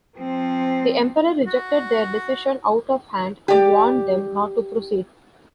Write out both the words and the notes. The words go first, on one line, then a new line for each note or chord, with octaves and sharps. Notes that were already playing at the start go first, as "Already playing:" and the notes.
The emperor rejected their decision out of hand and warned them not to proceed.
F3 C4
F#4
G4 D5